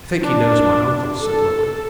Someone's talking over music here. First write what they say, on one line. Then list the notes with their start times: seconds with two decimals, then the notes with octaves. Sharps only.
"I think he knows my uncle," said Lily.
0.22 D4
1.22 A4